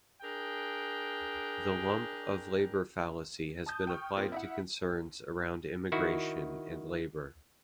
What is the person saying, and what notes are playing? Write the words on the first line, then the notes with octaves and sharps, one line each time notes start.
The lump of labour fallacy has been applied to concerns around immigration and labour.
D4 G#4 A#4 G5
A5 D#6 G6
G5 C#6 F6
A#3 C4 F4
E4 E5 F#5
D#3 E4 F#4